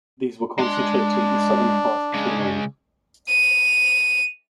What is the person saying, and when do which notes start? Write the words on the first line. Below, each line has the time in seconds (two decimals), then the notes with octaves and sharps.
These were concentrated in the southern part of Finland.
0.59 G#3 D4 C6
2.14 C#3 G#3
3.28 D#7 F7